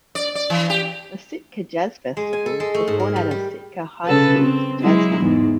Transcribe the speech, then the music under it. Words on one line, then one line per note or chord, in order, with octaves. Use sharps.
The Sitka Jazz Festival was born out of Sitka High School's jazz nights.
D5
D5
E3
G4
G#3
G#5
A4
G#3
A3
G#2
A#4
G3
G3
C#3 A4 B4
C4
F#3 G#3 E4
E2 G#2